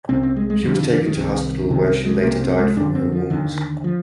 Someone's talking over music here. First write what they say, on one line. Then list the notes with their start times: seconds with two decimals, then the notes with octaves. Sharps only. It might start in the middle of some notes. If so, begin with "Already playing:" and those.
She was taken to hospital where she later died from her wounds.
0.09 C2 C3 C4
0.23 C4
0.36 G#3
0.50 G#3
0.63 F2 D3 G3
0.76 D#3
0.90 D3
1.03 D#3
1.16 C2 C3
1.70 C2 C3 D#3
2.05 G#3
2.23 C2 C3 A#3
2.41 C4
2.59 G#3
2.77 F2 D3 D4
2.95 C4
3.12 F3
3.30 D#2 D3 D#3
3.84 F3